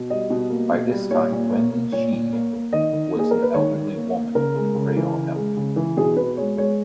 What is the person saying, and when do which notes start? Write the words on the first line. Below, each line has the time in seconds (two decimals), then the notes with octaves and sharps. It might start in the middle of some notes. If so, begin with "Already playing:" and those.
By this time, Wen Shi was an elderly woman in frail health.
Already playing: B2
0.10 G3 D#5
0.30 B2
0.50 A#3
0.71 B2
0.91 G3
1.11 A#2 C#5
1.32 A#2
1.51 A#3
1.71 A#3
1.92 A#2 C#5
2.12 A#2
2.33 A#3
2.53 A#3
2.73 D#3 D#5
2.93 D#3
3.14 A#3 G#4
3.31 A#3 A#4
3.42 B4
3.54 D#3 C#5
3.74 D#3
3.95 A#3
4.14 A#3
4.35 C#3 A#4
4.56 G#3
4.75 C#3
4.96 E3
5.16 C#3
5.36 G#3
5.57 C#3
5.76 E3
5.97 B2 G#4
6.17 B2 B4
6.37 G#3 C#5
6.57 G#3 C#5